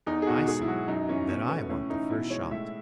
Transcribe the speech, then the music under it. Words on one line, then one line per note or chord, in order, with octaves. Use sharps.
"I say that I want the first shot."
E2 D#4
G#4
B2 F#4
G#2 G#4
E4
F#3 F#4
F#2 D#4
E3 C#4
B2 C#4
A3 B3
A2 C#4
E3 D#4
B2 E4
G#3 C#5
A2 E5